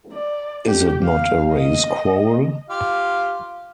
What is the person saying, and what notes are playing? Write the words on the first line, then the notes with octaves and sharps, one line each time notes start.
Is it not a race quarrel?
D5
G4
F5
D#5
F4 G4 F5